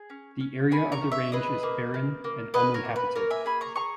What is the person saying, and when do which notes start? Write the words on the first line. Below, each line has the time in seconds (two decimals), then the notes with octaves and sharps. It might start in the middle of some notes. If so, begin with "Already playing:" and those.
The area of the range is barren and uninhabited.
Already playing: G#4
0.10 C#4
0.40 C#4
0.71 C#4 G#5 B5
0.92 A#5 C#6
1.01 C#4
1.12 C#5 E5
1.32 G#4 B4 D#5
1.63 A#3
1.94 A#3
2.24 A#3
2.54 G#4 B4 D#5
2.74 A#4 C#5
2.85 A#3
2.96 B4
3.15 A#3 A#4 C#5
3.30 E5 G#5
3.45 G#4 G#5 B5
3.61 A#5 C#6
3.76 G#4 A#5 C#6